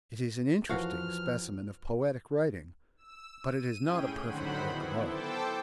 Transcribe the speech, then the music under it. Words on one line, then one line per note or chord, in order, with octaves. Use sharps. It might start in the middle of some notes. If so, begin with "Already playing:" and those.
It is an interesting specimen of poetic writing but it is not a perfect work of art.
E2 F3 F#4 A#4 B4 F5 F6
E6
D#7
A2 C#4 G#4 G5
D3 D#3 F#3 C5 F#5 B5
B3 E4
A4 C5 G5 A5 D6 E6